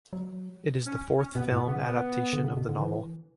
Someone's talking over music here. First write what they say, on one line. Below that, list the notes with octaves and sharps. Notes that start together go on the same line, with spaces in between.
It is the fourth film adaptation of the novel.
F#3
C#4
C#4
B2 B3
A2 B3
C#3 B3
B3
D3
C#3
B2
D3
E3